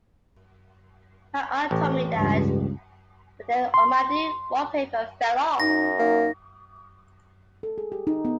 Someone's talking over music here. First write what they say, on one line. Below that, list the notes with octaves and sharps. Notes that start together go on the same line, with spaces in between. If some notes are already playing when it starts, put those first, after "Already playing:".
My aunt told me that, but then all my new wallpaper fell off.
A1
C#2 G2
C6
F#2 D#4 A#6
A#3 D#4
A4
G#4
G4
D#4
B3